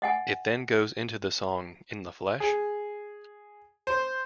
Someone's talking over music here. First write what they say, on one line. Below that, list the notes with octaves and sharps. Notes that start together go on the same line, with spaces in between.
It then goes into the song In the Flesh?
D#5 F#5 G#5
G#4
C5